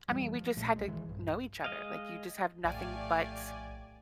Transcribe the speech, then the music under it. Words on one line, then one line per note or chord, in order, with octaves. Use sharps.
I mean, we just had to know each other. Like, you just have nothing but
F2 E3 G3
F3
A#1 A#2 G#3 A3
B1 G#3
G#2 D#3 E3 G#3
A#1 G2
G#3 D#5 F5
A#1 A2 A3 G4 D5 F5 G#5